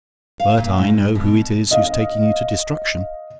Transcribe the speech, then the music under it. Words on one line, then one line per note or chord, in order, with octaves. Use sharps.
But I know who it is who's taking you to destruction.
F5
A#2
G#2
B2
D#5 F5